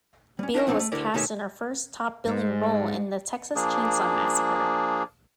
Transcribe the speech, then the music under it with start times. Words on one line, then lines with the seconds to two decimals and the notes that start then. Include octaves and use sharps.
Biel was cast in her first top-billing role in "The Texas Chainsaw Massacre".
0.39 G3 C#4
0.54 D4 E4 F4 A#4 D5 D#5
0.67 F3 B3 C4 D4 D#4 C#5
0.79 A3
0.92 D2 D3 E4 G4 A#4 D5
1.14 B2 D#3 A3 C#4 G4 E5
2.27 G#2
3.55 F3 A#3 D4 G#4